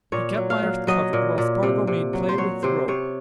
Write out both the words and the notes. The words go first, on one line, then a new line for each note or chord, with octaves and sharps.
He kept Myerst covered while Spargo made play with the rope.
A#2 C#5
F#3
F5
F#3
F#3 D#5
A#2
A#2
C3
C3
F#3
C5
F#3 C#5
C3 C5
C3 C#5